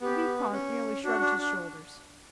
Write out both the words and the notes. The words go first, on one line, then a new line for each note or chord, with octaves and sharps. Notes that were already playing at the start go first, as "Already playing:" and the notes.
The vicomte merely shrugged his shoulders.
B3 G4
C#4
D4 F#4
D4
D4